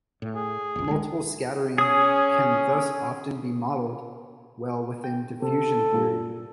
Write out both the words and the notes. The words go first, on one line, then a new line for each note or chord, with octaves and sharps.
Multiple scattering can thus often be modeled well with diffusion theory.
A2
G#4
F#1 C#2
D1 D3 G#3
C#4 G#4 D#6
G5
C3 A4
A#2